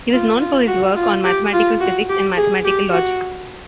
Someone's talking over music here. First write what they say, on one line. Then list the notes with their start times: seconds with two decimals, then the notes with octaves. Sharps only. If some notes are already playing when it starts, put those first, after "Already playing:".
He was known for his work on mathematical physics and mathematical logic.
0.13 F4
0.41 F4
0.68 F#4
0.96 F4
1.24 G4
1.53 F4
1.81 F#4
2.09 G4
2.37 G#4
2.64 G4
2.92 F#4